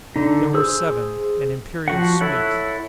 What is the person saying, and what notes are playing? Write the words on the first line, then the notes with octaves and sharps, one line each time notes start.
There were seven--an imperial suite.
D3 D#4
G#4 C5 E6
F3 F#4 F#5
E4 A4 C#5 F#5